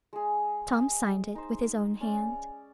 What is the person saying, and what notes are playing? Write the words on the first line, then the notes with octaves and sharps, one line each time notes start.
Tom signed it with his own hand.
G#3 G#4
D#4 C5
C#4 D5